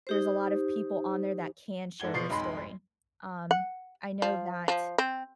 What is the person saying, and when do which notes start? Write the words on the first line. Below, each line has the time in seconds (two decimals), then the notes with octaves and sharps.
there's a lot of people on there that can share their story. Um, I know that
0.07 D#4 G4 C5
2.00 G#2 A4 D5 F#5 G#6 G7
2.14 B2 F3 C7
2.30 B1 F2 G#2 G#3 B5 C6
3.51 F#5
4.22 F3
4.68 F3
4.98 C4